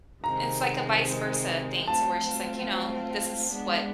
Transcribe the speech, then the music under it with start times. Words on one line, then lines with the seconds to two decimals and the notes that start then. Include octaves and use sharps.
it's like a vice versa thing to where it's just like, you know, this is what
0.24 C3 D#3 G#3 C4 A#5
1.87 F#3 A3 C4 F4 A5
3.51 G#3 B3 D4